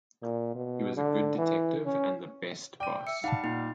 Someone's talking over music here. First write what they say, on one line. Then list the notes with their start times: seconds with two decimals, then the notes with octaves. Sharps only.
He was a good detective and the best boss.
0.22 A#2
0.55 B2
0.96 D3
1.38 E3
1.85 C#4
2.80 D5 G5 D#7
3.07 E5 C#7
3.24 G3 D#4 F5 F#5 A5
3.44 A#2 D#4